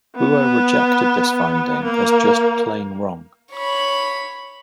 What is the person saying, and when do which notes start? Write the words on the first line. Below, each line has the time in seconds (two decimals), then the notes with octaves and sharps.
Bua rejected this finding as just plain wrong.
0.16 B3
1.84 A#3
3.54 C#5 B5